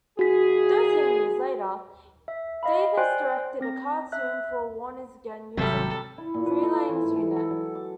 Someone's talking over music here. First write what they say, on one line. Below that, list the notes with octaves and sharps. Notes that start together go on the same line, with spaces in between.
Thirteen years later, Davis directed a cartoon for Warners again, using Freleng's unit.
D#2 F#4 G#4 B6
E5
D#5 F5 B5
C5 D5 G5 G#5 C6 F#6
C4 A#6
E5 F#6
G#1 C3 F#3 G3 A4
E4
A#2
B4
A4
F4
E3
G#2
A4
A4
F#3
D6